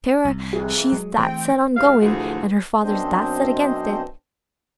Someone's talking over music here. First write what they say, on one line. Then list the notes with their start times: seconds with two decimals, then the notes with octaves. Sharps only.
Clara, she's that set on goin', an' her father's that set against it.
0.25 C2
0.53 F2 C3 E3 G#4
0.92 F#3 G#3
1.17 E3 A3 C4 G5
1.76 G#2 C3 F5
2.01 D2 A2 E3 F3 F#4 G#4
2.83 F#2 B2 C4 D4 C5 D#5